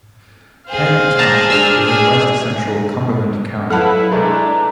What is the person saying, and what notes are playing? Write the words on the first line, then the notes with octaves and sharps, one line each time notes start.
Penn Township is in west-central Cumberland County.
G#4 C5 F5
A5 A#5
D4 E6 F6
G#4
F#3 E4 A4 B4 F5 F#5 A5 B5
G#3 A3 D4 A#5